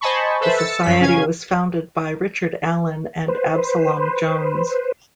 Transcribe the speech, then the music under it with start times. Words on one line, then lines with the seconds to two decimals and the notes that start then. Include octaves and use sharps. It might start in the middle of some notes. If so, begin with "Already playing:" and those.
The Society was founded by Richard Allen and Absalom Jones.
0.01 C5 D#5 G#5 A5 B5 C#6
0.41 A4 B4 C5 E5
0.57 E6 A6 C#7
0.83 F#2 F#3 B6
1.00 C#3 C#4 F5 G#5 G#6
3.28 B4 C5